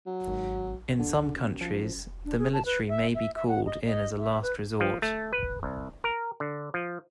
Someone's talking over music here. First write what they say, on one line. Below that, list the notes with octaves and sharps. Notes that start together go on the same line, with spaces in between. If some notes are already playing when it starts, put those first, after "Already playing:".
In some countries, the military may be called in as a last resort.
F#3
G#1
D1 D3
F#2
F3
D4
G#4
A5
B4
E5
E5
E5
F#5
D#5
D#5
E5
B4
F3
A3
B4
C2
A#4
D3
F3